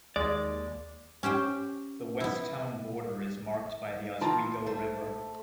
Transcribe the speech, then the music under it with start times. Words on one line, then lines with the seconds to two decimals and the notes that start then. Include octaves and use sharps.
The west town border is marked by the Oswego River.
0.16 D#2 G#3 D5
1.23 C#4 G4 C5 G5
2.20 B3 E4
4.21 A#2 E3 F4 G5 A5 A#5
4.66 A3 C5